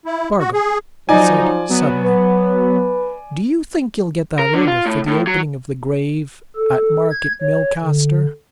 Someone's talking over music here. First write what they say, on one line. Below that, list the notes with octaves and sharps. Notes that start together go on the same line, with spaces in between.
"Spargo," he said, suddenly, "do you think you'll get that order for the opening of the grave at Market Milcaster?"
E4
F#4
G#4
F3 F#3 D#4 D5 G#5
F#3 B3
B4
A#4
D3
F4
A2
A2
F#3
A4
G#6
C#5
D3